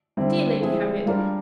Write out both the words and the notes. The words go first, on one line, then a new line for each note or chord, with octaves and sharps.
Dear Lady Harriet!
D3 G3 C4 E4
F3 G#3 C4 E4 G#4
G3 A#3 D4 F4 A#4